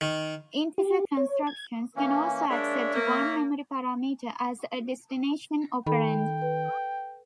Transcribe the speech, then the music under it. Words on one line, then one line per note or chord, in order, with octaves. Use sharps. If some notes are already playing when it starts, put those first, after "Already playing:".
Integer instructions can also accept one memory parameter as a destination operand.
D#3
G4
C#5
G#6
E3 A#3 C#4
G#3 A#3 D4 C#5 E5
A#3
D#3 A4 G5 B5
B4